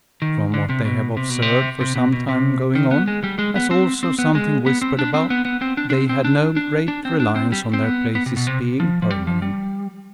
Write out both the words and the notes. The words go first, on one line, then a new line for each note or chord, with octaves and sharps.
From what they have observed for some time going on, as also something whispered about, they had no great reliance on their places being permanent.
D#3
D3
C3
B2
C3
B2
C3
C3
B2
B2
C3
D#3
B3
G#3
G3
G#3
B3
C4
C4
B3
G#3
B3
C4
D4
C4
B3
B3
C4
D4
D4
C4
C4
D4
D4
D4
C4
D4
C4
G3
C4
B3
B3
C3
B2
C3
F3
F3
G3
F3
G3